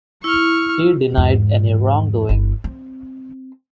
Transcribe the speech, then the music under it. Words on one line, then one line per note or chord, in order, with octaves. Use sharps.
He denied any wrongdoing.
E4 C#6 F6
E2 G#2
G1 E4
C4